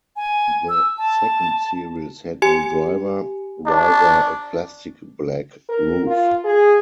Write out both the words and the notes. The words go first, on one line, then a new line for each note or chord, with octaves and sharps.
The second series had no driver, rather a plastic black roof.
G#5
E6
A5
G4 G#5 C#7
D4
A#4
F4
G#4